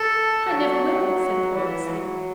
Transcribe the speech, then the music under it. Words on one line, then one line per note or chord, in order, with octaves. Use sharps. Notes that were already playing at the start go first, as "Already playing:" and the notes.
"I never will," said poor Leslie.
Already playing: A4
F#3
F#3
E3
F#3